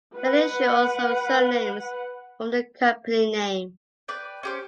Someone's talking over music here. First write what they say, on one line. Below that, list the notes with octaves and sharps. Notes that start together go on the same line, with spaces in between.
The initials of their surnames form the company name.
B4 F#5
B4 D5 G5
C#4 G4 C5